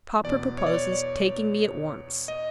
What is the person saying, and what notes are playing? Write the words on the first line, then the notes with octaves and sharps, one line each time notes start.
"Papa proposes taking me at once."
E2 B2 D5
C#5
D5
C#5
D5
D#5